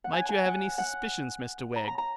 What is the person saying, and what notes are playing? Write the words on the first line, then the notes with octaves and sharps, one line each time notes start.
'Might you have any suspicions, Mr Wegg?'
F#5
G#5
G#5
F#5
F#5
A#5
A#5
A#5